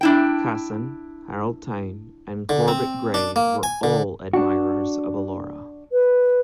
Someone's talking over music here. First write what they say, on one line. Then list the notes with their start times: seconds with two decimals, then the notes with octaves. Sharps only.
Casson, Harold Town, and Corbett Gray were all admirers of Elora.
0.01 D4 E4 G5
2.49 D3
2.68 C4
3.14 D4
3.36 A#3
3.63 G#5
3.83 D3
4.33 D4 F#4
5.92 B4